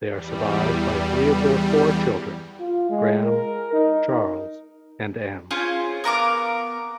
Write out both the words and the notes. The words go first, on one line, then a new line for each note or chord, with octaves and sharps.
They are survived by three of their four children, Graham, Charles, and Ann.
E2 G3
F4
G#3
A#4
D#4
C#4 F4 G#4 C5
B3 A#4 F5 D6